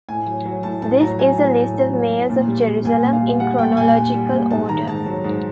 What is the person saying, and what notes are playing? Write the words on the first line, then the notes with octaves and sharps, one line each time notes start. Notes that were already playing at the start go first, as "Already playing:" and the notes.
This is a "list of mayors of Jerusalem" in chronological order.
A2 G#5
F#3
F#3
A2 A5
A2 A5
F#3 A#5
F#3 G#5
A2
A2
F#3
F#3
A2
A#2
G3
G3
A#2 G#5
A#2
F5
G3
G3 F#5
A#2 G5
A#2 G#5
G3
G3
A#2
G#2 A5
D#3 A#5
G#2 A5
F#3
G#2